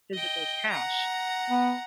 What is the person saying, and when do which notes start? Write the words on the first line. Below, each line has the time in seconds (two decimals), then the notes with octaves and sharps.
physical cash
0.13 D#5 G5
0.70 F#5 A#5
1.50 B3